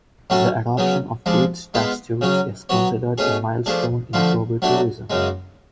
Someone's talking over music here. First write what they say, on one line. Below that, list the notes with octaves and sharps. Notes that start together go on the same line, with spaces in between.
The adoption of these Statutes is considered a milestone in global tourism.
A2 F#3 C#4 F#4 A4
C#3 F#3 B3
F3 G#3 D4
G#3 B3 F4 B4
C#3 F#3 C#4
F#3 B3 F#4 C#5
B2 A3 C#4 G#4
F3 A3 D4 G#4
D3 F3 A3 F4
F#3 A3 D4 F#4
F#2 C#3 G#3